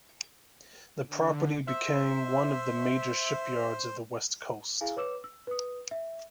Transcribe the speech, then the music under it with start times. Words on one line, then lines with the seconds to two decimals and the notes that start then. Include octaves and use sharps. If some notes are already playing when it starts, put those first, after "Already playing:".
The property became one of the major shipyards of the west coast.
1.07 D3
1.67 C5 E5
4.81 E4 G#4 F5 G#5
4.96 B4 C#5 D6 E6 E7
5.24 E6
5.47 B4 D#6
5.91 E5